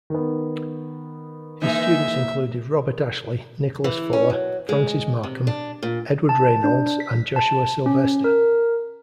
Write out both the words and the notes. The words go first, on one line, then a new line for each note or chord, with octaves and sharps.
His students included Robert Ashley, Nicholas Fuller, Francis Markham, Edward Reynolds and Josuah Sylvester.
D#3 B3
E3 G#3 A#3 D#4 E5
E3
C#4
F#3
G#3
C3
D4
A#2
A5
D4
B6
A5
C#4
A#4